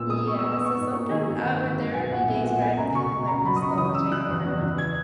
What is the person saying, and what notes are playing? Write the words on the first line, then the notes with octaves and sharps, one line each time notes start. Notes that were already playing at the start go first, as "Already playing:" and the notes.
Yes, so sometimes I would there would be days where I'm feeling, like, nostalgic, and I would,
Already playing: A#2 B3 E6
G#3 D#6
B3 C#6
E6
B3
E6
B3 C#6
G#2
A#3 C#6
D#3 D#5
G#1
D#3
G#1
G#3
B1 G#5
A#2 F#5
B3 E5
A#2 F#5
B3 G#5
C#2 A#5
B2 C#6
B2
C#2 A#5
F#3 B5
D#6
C#2 C#6
E3 D#6
C#3 E6
E3 F#6
E2
E2
E3
G#6